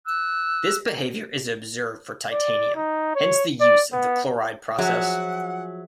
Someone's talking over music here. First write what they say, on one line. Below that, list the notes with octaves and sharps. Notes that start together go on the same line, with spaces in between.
This behavior is observed for titanium, hence the use of the chloride process.
E6 F#6
D5
D#4
C#5
D5
B3
F3 F#3 G#4 E5 F#5